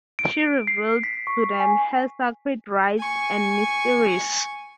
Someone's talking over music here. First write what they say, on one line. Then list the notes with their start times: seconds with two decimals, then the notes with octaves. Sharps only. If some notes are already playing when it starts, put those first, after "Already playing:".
She revealed to them her sacred rites and mysteries.
0.19 D7
0.67 C7
1.03 B6
1.27 C#6
1.60 G#5
2.97 G#5 C#6